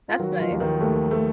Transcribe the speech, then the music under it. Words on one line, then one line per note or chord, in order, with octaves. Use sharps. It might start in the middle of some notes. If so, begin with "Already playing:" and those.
That's nice.
F4
D#3 F#3 F#4
F3 F4
D#2
D#3 D#4
D#2 A3
A3